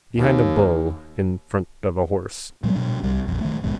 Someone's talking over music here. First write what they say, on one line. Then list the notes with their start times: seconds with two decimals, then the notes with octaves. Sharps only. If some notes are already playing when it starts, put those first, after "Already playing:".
Behind a bull: in front of a horse.
0.17 D#2
2.63 A#2 F#3 G3 A#3
2.75 B2 D4
3.03 C2 G3
3.28 A#1 F2
3.41 D#3 A3
3.64 A1 D#2 G#2 B2